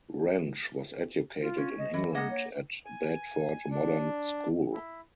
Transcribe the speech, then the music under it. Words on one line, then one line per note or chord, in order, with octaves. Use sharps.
Wrench was educated in England at Bedford Modern School.
F4
C#4
D#5
E3
A#3 G#4 D#5 F#5
C#5
G#5
D4
E4